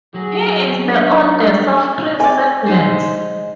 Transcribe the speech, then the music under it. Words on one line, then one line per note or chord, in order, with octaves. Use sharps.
He is the oldest of three siblings.
F#3 F#4 G#4
D4 C#5
C4 D5 G#5
G#3 D#4 C5